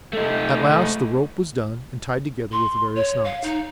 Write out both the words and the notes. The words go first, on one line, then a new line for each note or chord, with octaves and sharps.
At last the rope was done and tied together with various knots.
A3 D#4
C6
C#5
F5
D#4